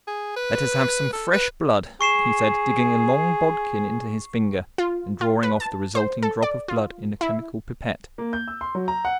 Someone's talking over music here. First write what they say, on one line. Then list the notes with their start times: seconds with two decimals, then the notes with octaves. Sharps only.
"Let us have some fresh blood," he said, digging a long bodkin into his finger, and drawing off the resulting drop of blood in a chemical pipette.
0.07 G#4
0.36 B4
1.13 A4
1.33 B4
2.01 G#4 C#6 C7 E7
4.78 F4
5.21 F4
5.43 B4
5.60 A5
5.95 C5
6.23 A4
6.42 D5
6.68 F4
7.21 E4
8.18 A#3
8.33 G6
8.48 E6
8.61 C6
8.75 F#3
8.88 A#5
9.05 F#5